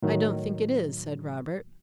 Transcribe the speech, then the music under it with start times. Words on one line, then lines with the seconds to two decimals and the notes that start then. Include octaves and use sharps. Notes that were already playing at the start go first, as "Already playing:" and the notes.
"I don't think it is," said Robert.
0.02 A2 D#3 F#3